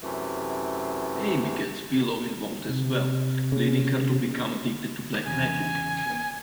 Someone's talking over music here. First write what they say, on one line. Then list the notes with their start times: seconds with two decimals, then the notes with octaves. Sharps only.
Amy gets Willow involved as well, leading her to become addicted to black magic.
0.02 F#2 C3 E3 A3
2.69 C3
3.52 C#3
5.26 E2 G2 C#3 G#5